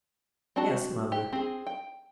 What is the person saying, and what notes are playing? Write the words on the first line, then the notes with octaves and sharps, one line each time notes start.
'Yes, mother.
C4 D4 F#4 A5
G4
C4 G#4
G5